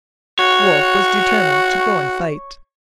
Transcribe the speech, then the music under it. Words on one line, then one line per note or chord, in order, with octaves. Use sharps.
Wolfe was determined to go and fight.
F#4 C#5